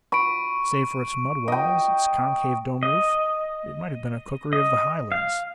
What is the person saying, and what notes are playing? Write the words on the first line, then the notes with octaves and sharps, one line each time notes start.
Save for its mud walls, its concave, dome-roof, it might have been a cookery of the Highlands.
B5 C#6 D7
D#5 G5
D#5
D#5
F5